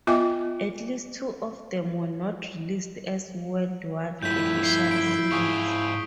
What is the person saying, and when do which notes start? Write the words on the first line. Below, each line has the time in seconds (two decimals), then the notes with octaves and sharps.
At least two of them were not released as worldwide official singles.
0.07 B3 F4 D#5 E5 G#5 D6
4.22 G2 F3 A3 E4 G6 B6
4.63 C7 G7
4.91 D7
5.32 G#2 F4 G#4 C#6 D#6